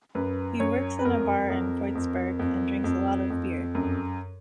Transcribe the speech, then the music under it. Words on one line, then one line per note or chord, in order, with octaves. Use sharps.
He works in a bar in Kreuzberg and drinks a lot of beer.
F#2 B4
F#2 C#5
B4
F2 A#4
F2
F2
F2
F2
F2
F#2